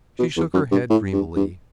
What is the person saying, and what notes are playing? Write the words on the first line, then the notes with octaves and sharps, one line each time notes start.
She shook her head dreamily.
B2
E2
F#2
G2
A2
G2
G2